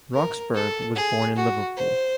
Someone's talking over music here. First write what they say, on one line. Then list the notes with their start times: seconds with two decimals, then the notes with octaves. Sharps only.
Roxburgh was born in Liverpool.
0.14 A#4
0.55 A4
0.95 G#4
1.36 F#4
1.77 C5